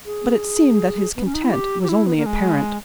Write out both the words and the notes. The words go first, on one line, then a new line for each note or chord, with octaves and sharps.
But it seemed that his content was only apparent.
G#4
B3
C#4
D#4
E4
G4
G4
E4
B3
A#3
G#3